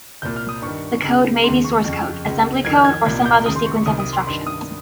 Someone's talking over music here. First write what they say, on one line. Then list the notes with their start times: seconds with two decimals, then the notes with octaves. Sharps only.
The code may be source code, assembly code or some other sequence of instructions.
0.22 C2 A#2 G6
0.36 F6
0.49 D#6
0.62 G2 D#3 C#6
1.03 C#2 C#3
1.44 D#2 C#3 C6
1.64 C#6
1.84 F2 C#3
2.25 C#2 C#3
2.65 F2 D#3 G#6
2.75 G6
2.85 G#6
3.05 C2 A#2 G#6
3.26 G6
3.46 D#2 C#3 D#6
3.56 C6
3.66 C#6
3.76 C#6
3.86 C2 C3 D#3 D#6
4.00 D#6
4.13 C6
4.27 G2 D#3 C6
4.47 D#6